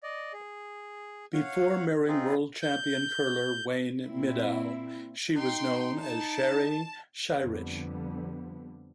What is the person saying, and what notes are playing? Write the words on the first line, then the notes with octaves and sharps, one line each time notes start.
Before marrying world champion curler Wayne Middaugh, she was known as Sherry Scheirich.
D5 D#5
G#4
C#5 F5 F#5
C4 D#4 F4 G#4
G6
A#2 C4 E4
D#4 G5 C6
A5
F2 D3 G3 B3